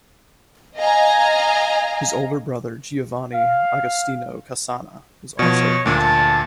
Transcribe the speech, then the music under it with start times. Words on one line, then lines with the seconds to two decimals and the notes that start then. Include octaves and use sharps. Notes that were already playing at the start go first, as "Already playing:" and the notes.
His older brother Giovanni Agostino Cassana was also a painter.
0.77 D#5 F5 G#5 A#5
3.33 F5
5.39 B2 F3 C#5
5.86 D2 A#2 D4
6.00 A5